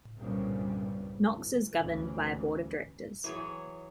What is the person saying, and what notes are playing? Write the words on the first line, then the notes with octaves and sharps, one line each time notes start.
Knox is governed by a Board of Directors.
G1 C2 G2 A#2 C#3
G1
G1 D2 C#3 E3
E3 F#3 G#4 C#5